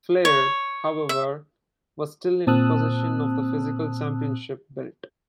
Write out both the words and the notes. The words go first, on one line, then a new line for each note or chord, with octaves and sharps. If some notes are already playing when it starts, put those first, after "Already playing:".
Flair, however, was still in possession of the physical championship belt.
C#5
E5
A#2 C4 A5 D#6 E6 F#6